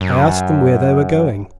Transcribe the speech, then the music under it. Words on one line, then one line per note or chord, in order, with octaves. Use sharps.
I asked them where they were going.
F#2